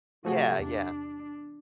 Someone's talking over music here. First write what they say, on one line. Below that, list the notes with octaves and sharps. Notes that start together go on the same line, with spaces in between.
Yeah, yeah.
C3 F3 A3 F#4 G#4
E2 D4